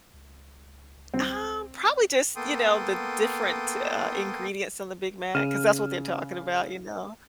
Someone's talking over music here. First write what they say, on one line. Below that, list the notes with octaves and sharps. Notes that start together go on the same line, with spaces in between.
Um, probably just, you know, the different, uh, ingredients on the Big Mac, 'cause that's what they're talking about, you know?
C#2
C4
A#3 B3 A4 G5 C6 D#6
C#3 F6 D#7 E7